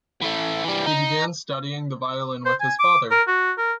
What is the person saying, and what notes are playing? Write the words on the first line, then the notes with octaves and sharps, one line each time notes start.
He began studying the violin with his father.
E3 A3
E3 G3
D#4
C5
G#5
D6
A#4
F#4
A#4